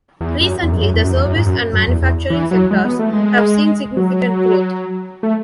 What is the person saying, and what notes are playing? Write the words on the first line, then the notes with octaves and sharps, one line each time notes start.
Recently, the service and manufacturing sectors have seen significant growth.
E2
F#2
E2
F#2
E2
F#2
E2
F#2
E2
F#2
G#2
F#2
F#2
E2
E2
E3
F#3
G#3
B3
A3
G#3
F#3
A3